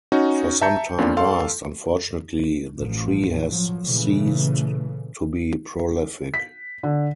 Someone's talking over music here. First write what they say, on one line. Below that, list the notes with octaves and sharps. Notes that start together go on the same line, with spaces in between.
For some time past, unfortunately, the tree has ceased to be prolific.
C#4 D#4 F#4
E5 A5 A#5 G6 C#7
F2 A#3 C#4 D4 F4
A4 F5 C6
A1 F3
F3 F#3
A#2 C#3 E3 A3
B6
D3